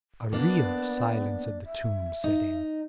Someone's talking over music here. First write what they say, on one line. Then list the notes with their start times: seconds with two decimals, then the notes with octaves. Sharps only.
A real silence of the tomb set in.
0.32 A#3 B3 D4
1.66 E5
2.24 D#4